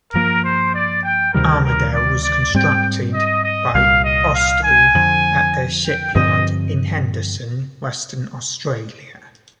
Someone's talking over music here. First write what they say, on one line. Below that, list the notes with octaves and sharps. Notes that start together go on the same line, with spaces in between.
"Armidale" was constructed by Austal at their shipyard in Henderson, Western Australia.
G2 F3 A#3 A#4
C5
D5
G5
D2 C3 D#3 G3 A#4
A#4
D5
D5
G#2 G3 C4 G5
D#5
D#5
C2 A#2 G3 F5
D#5
F5
G#5
F2 D3 F3
G5
G2 D3 F3 C4 D#5